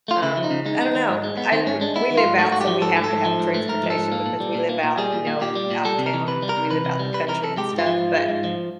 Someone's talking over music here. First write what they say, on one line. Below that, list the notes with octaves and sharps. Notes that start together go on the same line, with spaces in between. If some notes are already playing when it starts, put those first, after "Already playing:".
um, I don't know, I live we live out so we have to have transportation because we live out, you know, out of town, and we live out in the country and stuff, but,
A3 F4
C#3 E4
F3
D#4
C#3
G#3 D#4
B3
D#3
G#2
G#3
B3
D#3 C4
G#2 C#4
G#3 D4
B3 E4
D#3
F4
G#2
A3 F#4
G#2 F#4
G4
F3
G#2 A4
A3
A4
G#2
F3
G#2
A3
G#2 A#4
F3
A4
G#2
A#3
A#2
G3
A#2
A#3
A#2
G3 G#4
A#2
A#3
A#2 G4
G3
A#2
G3 A4
C3
A#4
E3
C3 B4
G3
A#4
C3
E3 B4
C3
G3
C3 B4
E3 A#4
C3 A4
G#3 G4
G#2
F4
F3
G#2
G#3
G#2
F3